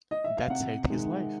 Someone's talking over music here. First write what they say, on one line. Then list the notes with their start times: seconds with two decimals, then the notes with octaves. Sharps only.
That saved his life.
0.11 D#5
0.24 E5
0.37 F5
0.50 C3 F#5
0.89 D#3 G#3